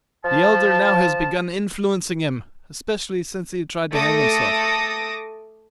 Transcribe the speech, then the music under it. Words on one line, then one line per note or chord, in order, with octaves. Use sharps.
The elder now has begun influencing him, especially since he tried to hang himself.
F3 A5
A3 A4 D6 D#6 A#6